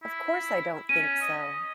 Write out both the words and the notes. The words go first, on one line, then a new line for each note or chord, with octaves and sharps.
Of course I don’t think so!
E4
C#4 D#7
D#5